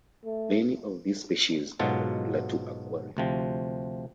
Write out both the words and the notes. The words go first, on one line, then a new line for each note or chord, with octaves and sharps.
Many of the species are popular for aquaria.
A3
G#2 B2 F#3 F4 A4
D2 C3 F3